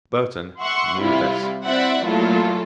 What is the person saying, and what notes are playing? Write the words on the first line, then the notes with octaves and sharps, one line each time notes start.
Burton knew this.
E5 F#5 C6 C#6
C3 G3 E4 F4
C4 E4 C5 D5 E5 F#5
A#2 F#3 A3 E4 F4 A4